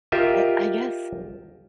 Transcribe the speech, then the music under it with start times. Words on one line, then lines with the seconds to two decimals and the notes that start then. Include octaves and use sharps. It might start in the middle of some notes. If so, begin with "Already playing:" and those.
I I guess,
0.12 F4 G4 A#4 D#5 E5